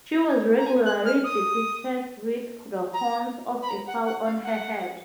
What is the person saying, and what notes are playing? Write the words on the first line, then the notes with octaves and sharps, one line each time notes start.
She was regularly depicted with the horns of a cow on her head.
A#5
G#5
F#6
F6
D#6
A#5
B5
A#5
F#5
F#5
F5
F#5